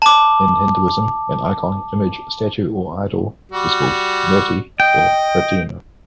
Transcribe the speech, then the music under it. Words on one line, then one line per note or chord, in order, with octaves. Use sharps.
In Hinduism, an icon, image, statue or idol is called "Murti" or "Pratima".
A5 D6
G3 F#4
D#5 G5